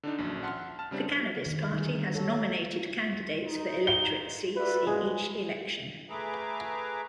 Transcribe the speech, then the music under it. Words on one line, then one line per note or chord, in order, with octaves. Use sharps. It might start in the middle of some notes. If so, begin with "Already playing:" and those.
The Cannabis Party has nominated candidates for electorate seats in each election.
D3 D4 D#4
A#1 F#2
E5 F#5 A5 C6 F6
A5 F6
C#3 G3 C4 D4
D#3
D3 D#3 G3 D#4 G#4
A4 C#5
D#4
G7
E4 F#4 B4 D5
F3 G#3 F#4 G#4
A3 G#4 B4 E5 A#5 D6